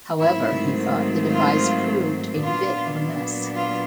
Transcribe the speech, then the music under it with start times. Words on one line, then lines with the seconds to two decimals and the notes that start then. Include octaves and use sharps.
However he thought the device "proved a bit of a mess".
0.20 G#2 D#3 F#3 A3 C4 E4 E5
1.32 F4 F5
2.44 A#2 F#3 B3 D4 F4 F5
3.56 F4 F5